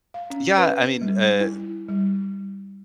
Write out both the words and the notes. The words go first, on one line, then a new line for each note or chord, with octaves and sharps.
yeah, I mean, uh,
F5
C#4
B4
G3
E4
G3